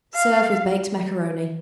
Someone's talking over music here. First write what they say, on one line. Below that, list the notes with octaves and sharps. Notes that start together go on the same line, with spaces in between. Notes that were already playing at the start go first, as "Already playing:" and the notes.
Serve with baked macaroni.
F5